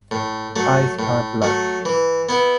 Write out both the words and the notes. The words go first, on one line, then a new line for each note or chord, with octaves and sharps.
Eyes are black.
A2
F#3 A3
A2
F#3 A3
E3
B3 E4